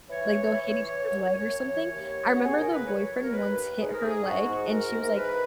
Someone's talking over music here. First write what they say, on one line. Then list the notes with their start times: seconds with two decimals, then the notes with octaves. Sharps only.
like, they'll hit each other's leg or something. I remember the boyfriend once hit her leg and she was like,
0.09 E3 C#5
0.40 E3
0.70 E3
1.01 F#2
1.32 F#2
1.63 E3
1.93 D#2
2.24 D#2
2.31 F#4
2.45 G#4
2.55 C#3 A#4
2.72 B4
2.85 F#3 C#5
3.16 D#2
3.22 A#4
3.32 B4
3.47 D#2
3.78 G#2 G#4
3.90 A#4
4.02 G#4
4.09 G#2
4.25 F#4
4.39 G#2
4.70 G#2 A#4
5.01 E3
5.12 A#4
5.16 B4